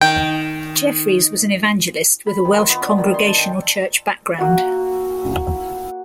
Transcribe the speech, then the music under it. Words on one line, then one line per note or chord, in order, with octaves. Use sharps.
Jeffreys was an evangelist with a Welsh Congregational church background.
D#3 G5
B5
D#3
F4
B3
D4
D#3
C6
A5
G5
A#3 F#4 F#5